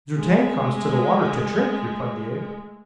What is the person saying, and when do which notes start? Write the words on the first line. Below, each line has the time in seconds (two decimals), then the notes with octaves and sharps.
"Zu-tag comes to the water to drink," replied the ape.
0.17 G#3 A3